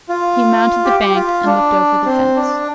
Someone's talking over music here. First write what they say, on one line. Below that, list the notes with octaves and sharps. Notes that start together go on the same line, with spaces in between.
He mounted the bank and looked over the fence.
F4
G4
G4
F4
D4
C4
D4